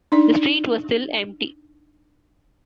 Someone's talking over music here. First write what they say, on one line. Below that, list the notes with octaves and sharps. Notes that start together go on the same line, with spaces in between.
The street was still empty.
D4 D#4 D5